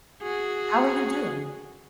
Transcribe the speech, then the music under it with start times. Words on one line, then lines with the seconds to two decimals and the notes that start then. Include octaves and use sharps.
How are you doing?
0.23 F#4 G#4